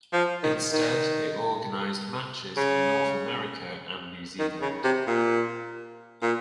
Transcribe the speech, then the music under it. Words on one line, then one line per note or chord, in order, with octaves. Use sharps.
Instead, they organised matches in North America and New Zealand.
F3
D#3
D#3
C#3
D#3
C#3
C3
A#2
A#2